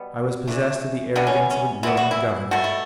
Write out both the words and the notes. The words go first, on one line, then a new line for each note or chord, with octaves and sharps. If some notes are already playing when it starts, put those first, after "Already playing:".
I was possessed of the arrogance of a Roman governor.
Already playing: B2 G3 B3
E3 A3 D4
E3 G3 B3 D4
C#4
C#4
E3 G3 B3 E4
F#4
E4
B2 A3 F#4
E4